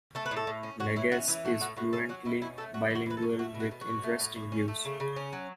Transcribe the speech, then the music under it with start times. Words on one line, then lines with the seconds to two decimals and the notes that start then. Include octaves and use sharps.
Lagasse is fluently bilingual with interesting views.
0.15 A3 A4
0.26 B4
0.31 A2
0.37 A4
0.47 A2
0.63 C#4
0.80 C#4 F#4
0.96 E3 E4
1.12 C#4 F#4
1.28 E3 E4
1.45 A3 F#4
1.61 A2 F#4
1.76 A2 F#4
1.93 C#4 A4
2.09 F#3 F#4
2.25 B2 E4
2.42 C#4 E4
2.58 A3 A4
2.74 A3 F#4
2.90 E3 F#4
3.06 E3 B4
3.17 A4
3.22 C#4
3.39 A3 F#4
3.54 B2
3.60 F#4
3.71 B2
3.81 F#4
3.87 C#4
4.03 A3
4.20 A2
4.36 A2
4.52 C#4
4.68 A3
4.85 C#3
5.00 C#3
5.16 C#4
5.33 F#3